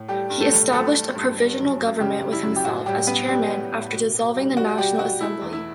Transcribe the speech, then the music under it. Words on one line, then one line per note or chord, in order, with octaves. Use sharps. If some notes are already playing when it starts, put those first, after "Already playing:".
He established a provisional government with himself as chairman after dissolving the national assembly.
Already playing: A2
G3 A3 G4
G2
A3 A4
G2
F#3 A3 A4
A3
G2
G3
F#2
F#2
C#3 G3 G4
G3
E4
F#2
G4
A2 F#4
A2 G3 G4
G3 B3 B4
G3 G4
A2
A2
B2
B2
G3
G3 F#4
B2 G3 G4
B2 F#4
A3 E4
E2
E4